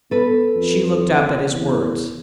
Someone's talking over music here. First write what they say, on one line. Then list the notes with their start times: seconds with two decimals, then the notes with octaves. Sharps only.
She looked up at his words.
0.11 B3 A4 B4
0.56 F2
1.50 E2